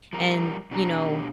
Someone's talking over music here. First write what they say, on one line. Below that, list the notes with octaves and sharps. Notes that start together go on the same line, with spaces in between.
and, you know
F3 G3 A#4
B2 D4 G4 A#5